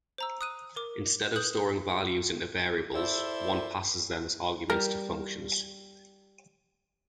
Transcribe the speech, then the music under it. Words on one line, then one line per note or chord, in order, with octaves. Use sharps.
Instead of storing values into variables, one passes them as arguments to functions.
C5 A#5 E6
D#6 F#6 D#7
A#4 D6
B4 D#6 F#6 G6 F#7
E4 A4 C5 D5 E5
G3 A#4